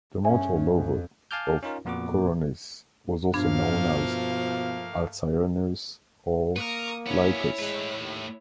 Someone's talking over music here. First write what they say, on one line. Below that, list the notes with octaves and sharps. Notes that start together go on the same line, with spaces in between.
The mortal lover of Coronis was also known as Alcyoneus or Lycus.
G2 C#4 E5 G#5
F2
F5 G#5 A5 D6 F6 G6
C#4 D#4 F4 A#4
F2 A#2 B3 F#4 B4 D6
G2 B2 F3 A3 A#3 D4 F5 G#6
A#3 A#4 B4 C#6 D#6
B3 C#4 E4 C#5
A2 G#3 B4
D#2